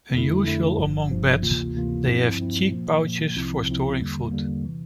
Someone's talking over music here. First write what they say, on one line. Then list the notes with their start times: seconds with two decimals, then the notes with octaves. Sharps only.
Unusual among bats, they have cheek-pouches for storing food.
0.14 F2 D3 A3 E4
0.47 F2 D3 A3 E4
0.78 G1 G2 F3
1.11 G1 G2 F3
1.42 D2 C3 E3 A#3 F4
1.74 D2 C3 E3 A#3 F4
2.07 G2 F3 C4 E4
2.39 G2 F3 C4 E4
2.71 A#2 F3 A#3
3.04 A#2 F3 A#3
3.36 C2 C3 F3 C4 E4
3.68 C2 C3 F3 C4 E4
4.00 E2 D3 G3 A#3
4.31 E2 D3 G3 A#3
4.65 C3 E3